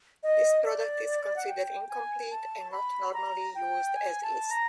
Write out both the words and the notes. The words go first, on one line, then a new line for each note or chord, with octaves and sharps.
This product is considered incomplete and not normally used as is.
D#5
D5
F#5
G5
G#5
A5
B5
A#5
G5
G#5
A5
A#5